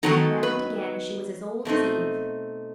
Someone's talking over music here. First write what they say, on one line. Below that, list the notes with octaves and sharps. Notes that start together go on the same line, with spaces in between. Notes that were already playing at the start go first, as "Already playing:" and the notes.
Yet now and again she was as old as Eve.
D#3 F#3 B3 D#4 A4
B4
B2 A3 C4 D#4